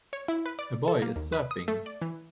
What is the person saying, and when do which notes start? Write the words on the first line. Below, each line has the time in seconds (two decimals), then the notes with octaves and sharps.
A boy is surfing.
0.13 C#5
0.28 E4
0.46 B4
0.59 D5
0.88 A4
1.02 A#3
1.16 D#2
1.32 B4
1.51 D#6
1.68 A3
1.86 D5
2.02 E3